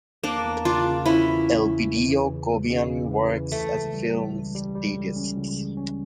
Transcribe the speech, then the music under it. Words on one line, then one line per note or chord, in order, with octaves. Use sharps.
Elpidio Cobian works as a film statist.
E2 A#3 D4
E2
C#3 D4 F4
C#3
E2 C#4 E4
E3
E2
E2
E2
E3
C#3
E2
C#3
C#3
E3
E3
C#2 A3
C#3
G3
G3
C#2
G3
G3
C#2
C#4
C#2
C#3
C#4